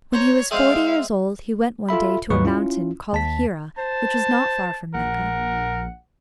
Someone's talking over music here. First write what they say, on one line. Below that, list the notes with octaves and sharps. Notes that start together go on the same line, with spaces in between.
When he was forty years old he went one day to a mountain called Hira which was not far from Mecca.
C5 C#5 A#5
G#3 C4 G#4 E5 F5
F4 A4 E5 B5
D#2 G#2 F#3 B4 C#6
C#4 E4 F4
D#2 A5 B6
C5 A5
A#1 A#4 F#5